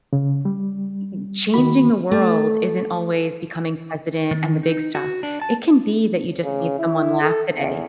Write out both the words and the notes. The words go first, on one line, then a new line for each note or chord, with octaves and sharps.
ee changing the world isn't always becoming president and the big stuff. It can be that you just made someone laugh today.
C#3
G3
D#3 A#3 F#4 B5
A3
D#3
D#4
F#4
D4
A5
C#3
E4
A4
E2